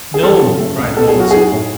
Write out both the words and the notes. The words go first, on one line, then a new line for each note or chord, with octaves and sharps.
"No," cried Wallace.
G#4
F#3 A4
C#3
A3
C#2
B3 A4
G#4
F#3 F#4
D#4 G#4
A2